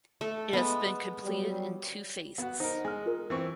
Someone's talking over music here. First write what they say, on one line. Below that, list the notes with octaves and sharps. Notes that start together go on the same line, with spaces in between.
It has been completed in two phases.
A3 A4
G#3 B3
F#3 G3
B3 F#4
D#4 A#4 C5
G#3 G#5 F6
F4 A#4
E3 C4 C#6